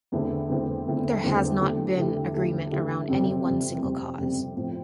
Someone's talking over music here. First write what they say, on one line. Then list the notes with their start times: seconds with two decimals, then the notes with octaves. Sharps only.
There has not been agreement around any one single cause.
0.12 E2 D3 A3 C4 E4
0.49 E2 D3 A3 C4 E4
0.86 E2 D3 A3 C4 E4
1.23 E2 D3 A3 C4 E4
1.60 D3 A3 E4 G4
1.97 D3 A3 E4 G4
2.34 D3 A3 E4 G4
2.71 D3 A3 E4 G4
3.08 F2 C3 G3 C4
3.45 F2 C3 G3 C4
3.82 F2 C3 G3 C4
4.19 F2 C3 G3 C4
4.56 A2 F3 C4